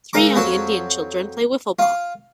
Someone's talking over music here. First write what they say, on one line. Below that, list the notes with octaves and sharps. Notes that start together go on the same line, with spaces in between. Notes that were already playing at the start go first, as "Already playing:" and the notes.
Three young indian children play wiffle ball.
C#2 A#4 A#5 D6
F2 F#3 F#4 A5
F4 F5